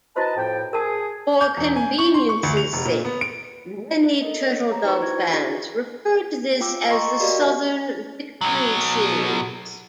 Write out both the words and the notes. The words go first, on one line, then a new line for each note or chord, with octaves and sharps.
For convenience's sake, many Turtledove fans refer to this as the Southern Victory series.
E4 F#4 B4 C5 D#5 A5
F2 A2 G5
G#4 A#4 A5 D#6
G6
E1
G#5
C#6
C6
C#6
D2
F7
F1
A#2
B3
D7
A4 A#4 D#5
C#5
A#5
D#4 F#4 B4 C5 D5 C#6
E4 G#6
D4 E4 F#4 G#4 D5
F4 G5 D6 E6
D#5 G5 A5 A#5 C6 C#6
F#4 G4 A#4 D5 D#5 F5
B2 F#3